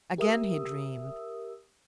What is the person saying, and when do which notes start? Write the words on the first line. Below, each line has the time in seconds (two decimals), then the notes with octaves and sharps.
Again he dreamed.
0.18 G4 A#4 E5 D#6 E6